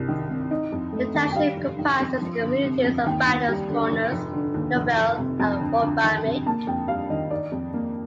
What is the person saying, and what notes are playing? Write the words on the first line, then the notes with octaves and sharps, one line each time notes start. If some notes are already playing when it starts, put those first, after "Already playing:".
The township comprises the communities of Badger's Corners, Nobel, and Waubamik.
Already playing: C2 G3
D#3
C3
D#4
F2
A3
D#3
G5
G3 F5
F1
D#3
F2
F3
G1
C3
F2
D#2 G5
D#2
G3
D3
F1
F1
D3
D#2
F1
F1
C3
F2
D2
D2
D#3
C3
A#3 A5
F2 G5
G3 F5
D#3 D#5
D#4 D5
F2
A#3